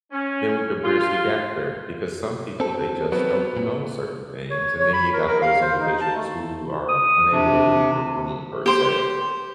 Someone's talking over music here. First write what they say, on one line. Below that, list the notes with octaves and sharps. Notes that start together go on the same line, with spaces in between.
then we could bridge the gap there, because some people, they just don't know certain things, and then you got those individuals who are unable to read the room, per se.
C#4
F4
C4 A4
F#3 B3 C4
A#2
C#5
C#5
B5
A#4
A#4
F5
C5
D#4
A5
A3
D#6
C3 D4
G4 C5